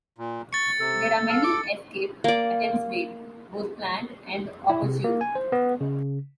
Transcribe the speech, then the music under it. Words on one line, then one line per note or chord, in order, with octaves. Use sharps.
There are many escape attempts made, both planned and opportune.
A#2
C#6 A6 C#7
C3 A4
A4 F5
D6
A#3 D5
E4
C3
A#3
G#5
C5
B3
C#3